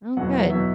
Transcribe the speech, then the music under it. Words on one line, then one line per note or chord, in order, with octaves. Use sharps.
Oh, good.
E2 B2 F#3 F#5
B2 F#3 E5